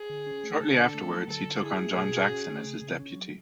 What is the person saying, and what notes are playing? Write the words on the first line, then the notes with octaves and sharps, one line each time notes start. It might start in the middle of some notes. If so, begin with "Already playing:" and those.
Shortly afterwards he took on John Jackson as his deputy.
Already playing: G#4
D3
C#4
A3
D3 A4
D4
A3
F#3
D3 A4
D3
E4 G#4
A3
B2
F#4
C#4
A3
C#3
C#3
C#4
F#3